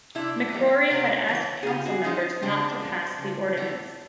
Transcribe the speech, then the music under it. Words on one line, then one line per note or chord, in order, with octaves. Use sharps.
McCrory had asked council members not to pass the ordinance.
C3 D4 E4
E3 G3 A#3
C3 B3 C#4
E3 G3 A#3
G#4
C#3 F4 G4
F#4 G#4
F3 G#3 C#4 D#4
C#3 C4 D4
F3 G#3
C#3
E3 G3 B3